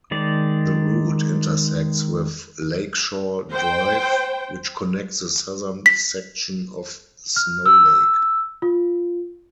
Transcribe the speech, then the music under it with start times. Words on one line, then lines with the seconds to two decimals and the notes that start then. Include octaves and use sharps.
The route intersects with Lakeshore Drive, which connects the southern section of Snow Lake.
0.11 D#3 G#3 D5
3.52 C5 G5
5.86 B6
7.36 F6
7.66 E6
8.62 F4